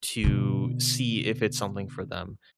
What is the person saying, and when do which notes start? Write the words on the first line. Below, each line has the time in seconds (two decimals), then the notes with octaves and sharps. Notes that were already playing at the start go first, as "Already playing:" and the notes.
to see if it's something for them.
0.24 B2 D3